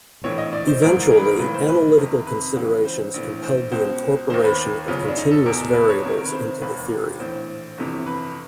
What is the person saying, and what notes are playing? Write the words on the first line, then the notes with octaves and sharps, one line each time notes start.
Eventually, analytical considerations compelled the incorporation of continuous variables into the theory.
A#1 A2 E3 C#5
D#5
D5
C5
G#1 G#2 E3 A#4
A#4
B4
A#4
B1 A2 E3 B4
C5
B4
F#1 F2 C3 D#3
B4
C#2 C#3 E3
C5
A#1 A2 E3
C5
C#2 B2 C5
D#2 D#3 C5
B4
F#1 E2 C#3 F4
D4
D#4
A4
E2 B2 A#4
B4
C#5
C2 C3 D#3
A#4
B4
C5
E1 D#2 D#3 B4
A#1 A2 E3 C5
G1 F2 C3 E3
B4